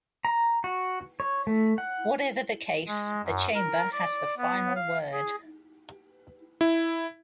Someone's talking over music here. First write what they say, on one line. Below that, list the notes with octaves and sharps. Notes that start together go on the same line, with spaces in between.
Whatever the case, the Chamber has the final word.
A#5
F#4
C#5
A3
F#5
G#3
F#2
A#4
D5
B3
F5
G#4
E4